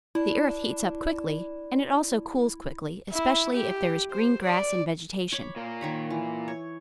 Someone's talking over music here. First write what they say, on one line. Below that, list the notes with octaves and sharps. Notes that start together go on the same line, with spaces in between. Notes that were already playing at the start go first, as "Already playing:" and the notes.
The earth heats up quickly, and it also cools quickly, especially if there is green grass and vegetation.
D4 E4
E4
G4
C5
D5
C#5 B5 D6
A#2 A#3
D#3 C#5 B5
E3
C#5